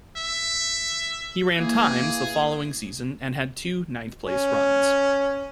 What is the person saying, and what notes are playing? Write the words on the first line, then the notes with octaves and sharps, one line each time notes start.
He ran times the following season and had two ninth-place runs.
E5
E3 A#3 G#4
C#4